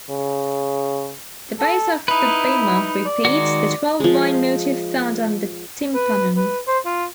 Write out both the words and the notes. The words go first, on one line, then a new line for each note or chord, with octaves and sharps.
The base of the bimah repeats the twelve vine motif found on the tympanum.
C#3
A4
D#4 E4 B4
D5
D#3 G#3 F#4
F3 G#3
B4
B4
C5
F4